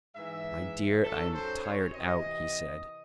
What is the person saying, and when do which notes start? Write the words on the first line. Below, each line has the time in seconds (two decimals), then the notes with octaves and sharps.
"My dear, I am tired out," he said.
0.15 G#2 E3 E5
1.04 F#2 D#3 F#3 A4
1.34 C5
1.64 C#5
1.94 C3 E3 D#5